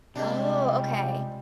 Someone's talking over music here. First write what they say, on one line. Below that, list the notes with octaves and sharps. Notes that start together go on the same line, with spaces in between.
Oh, okay.
C#2 C3 G3 G#3 D4